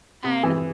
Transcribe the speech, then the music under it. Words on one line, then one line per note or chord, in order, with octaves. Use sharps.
And I
C3
E3